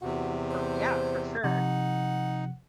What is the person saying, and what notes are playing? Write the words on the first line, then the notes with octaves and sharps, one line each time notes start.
Ooh, for yeah, for sure.
E2 C3 F#4
C5
C3 F3 D#4 F#5